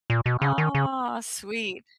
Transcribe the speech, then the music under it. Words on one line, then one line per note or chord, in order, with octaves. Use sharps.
aw, sweet.
A#2
B2
C#3
D#3
C#3